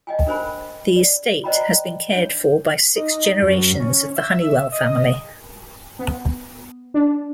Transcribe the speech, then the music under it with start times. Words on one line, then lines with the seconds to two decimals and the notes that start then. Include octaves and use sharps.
The estate has been cared for by six generations of the Hunnewell family.
0.07 D#5 G5 G#5
0.27 D4 A#4 C5 G#5 B5
0.96 D5
1.44 C5 D5 D#5 G5 A#5 B5
2.12 D4 C#5
2.96 D#4
3.42 F#2
3.80 C#4
4.16 E5
4.72 D#5
5.99 B3
6.94 D4